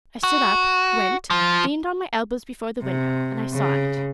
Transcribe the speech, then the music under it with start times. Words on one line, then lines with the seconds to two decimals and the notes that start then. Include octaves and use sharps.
I stood up, went, leaned on my elbows before the window, and I saw it.
0.23 F#4
1.30 F3
2.83 C3
3.53 C#3